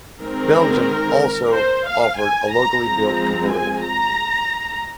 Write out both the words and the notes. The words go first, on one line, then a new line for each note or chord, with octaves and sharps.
Belgium also offered a locally built convertible.
D#3 G#3 C4 A#4
C5
F5
G#5
A#5
F3 G#3 C4 A#5
G#5
A#5